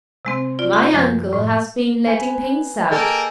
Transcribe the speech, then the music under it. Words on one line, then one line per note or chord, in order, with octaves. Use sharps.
'My uncle has been letting things out.
C3 G#3 C4
F4 D5
G4
F#2 F3 G#3 G6
A2
B4 G#5
A#3 A4 A#4 D#5 G5 G#5